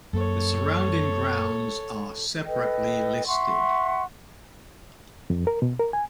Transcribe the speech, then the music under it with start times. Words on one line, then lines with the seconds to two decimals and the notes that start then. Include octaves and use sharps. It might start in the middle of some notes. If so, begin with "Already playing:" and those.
The surrounding grounds are separately listed.
0.13 F#2 A#3 A4 C#5
2.46 A4 B4 D#5 G5
3.27 E5 F#5 C6 C#6
5.30 F2
5.47 A#4
5.62 B2
5.79 A#4
5.93 G#5